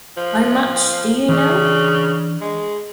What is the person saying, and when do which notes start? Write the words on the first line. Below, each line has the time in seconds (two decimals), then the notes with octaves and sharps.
How much do you know?
0.17 F3
1.29 C#3 E3 D4 D5
2.41 G#3